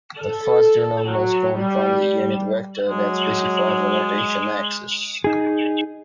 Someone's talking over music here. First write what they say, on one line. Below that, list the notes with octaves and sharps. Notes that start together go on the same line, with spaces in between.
The first two numbers come from the unit vector that specifies a rotation axis.
A4
F#3
G3
F#3 G#3
D#4 G#4